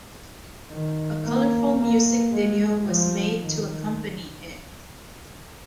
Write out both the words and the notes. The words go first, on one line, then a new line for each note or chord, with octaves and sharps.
A colorful music video was made to accompany it.
D#3
A#3
A#3
G#3
F3
D#3